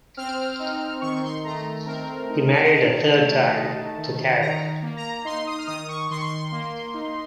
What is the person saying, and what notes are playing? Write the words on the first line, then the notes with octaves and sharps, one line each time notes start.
He married a third time, to Karen.
C4 F6
D#4
D#3 C#6
C6
A3 A#5
C4 A#4
D#4
F5
F#5
D#3 A5
A3
D#4
D#3
D#3 A#5
A#3
A#5
D#4 C6
D#6
F6
D#3 D#6
C#6
D#3 C6
C#6
C6
A#3
D#4